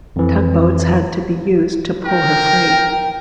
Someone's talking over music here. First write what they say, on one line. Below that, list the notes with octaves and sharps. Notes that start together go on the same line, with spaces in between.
Tugboats had to be used to pull her free.
F2 E3
A#4 G5